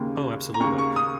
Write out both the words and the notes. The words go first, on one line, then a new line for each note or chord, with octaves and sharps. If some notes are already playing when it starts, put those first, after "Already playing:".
Oh, absolutely.
Already playing: D#2 C#3 A#3
A#5
D#2 C#3 A#3 C#6
C#6
D#6